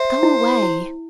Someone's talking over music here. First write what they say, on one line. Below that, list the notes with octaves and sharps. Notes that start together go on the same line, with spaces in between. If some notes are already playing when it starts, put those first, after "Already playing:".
Go away!
Already playing: C5 E5
E4
E4